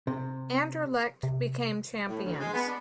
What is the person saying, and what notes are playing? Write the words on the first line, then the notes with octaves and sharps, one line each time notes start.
Anderlecht became champions.
C3
C3
A2
D2
G#3
B3
D4